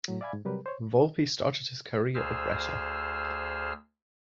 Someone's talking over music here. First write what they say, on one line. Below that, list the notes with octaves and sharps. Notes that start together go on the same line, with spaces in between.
Volpi started his career at Brescia.
A2 F#3
D5 E5 F5 G#5 B5 G#6
G#2
C3 F#3 G3 G4 A#4 B4
C5 C#5
D2 G#4 C5 E6 F6